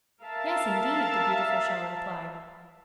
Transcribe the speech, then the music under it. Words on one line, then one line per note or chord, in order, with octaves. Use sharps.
"Yes, indeed!" the beautiful shell replied.
A#4 E5 F5 A5